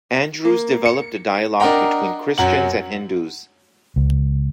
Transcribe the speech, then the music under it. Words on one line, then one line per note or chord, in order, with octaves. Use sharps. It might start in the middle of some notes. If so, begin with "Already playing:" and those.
Andrews developed a dialogue between Christians and Hindus.
A#3
C#7
D4 A#4 D#5 F#5 G5 A#5
F#2 F#3 F#5 F#7
C#2